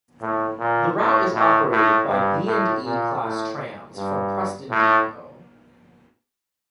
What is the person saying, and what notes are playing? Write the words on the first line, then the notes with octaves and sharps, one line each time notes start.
The route is operated by B and E class trams from Preston depot.
A2
A#2
A2
A2
A2
G2
A2
A#2
A2
G2
A2